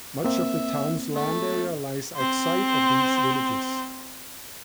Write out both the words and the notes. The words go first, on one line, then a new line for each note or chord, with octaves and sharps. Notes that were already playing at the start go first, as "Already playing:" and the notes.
Much of the town's land area lies outside of these villages.
A#3 C4 E5
A3
C4 C5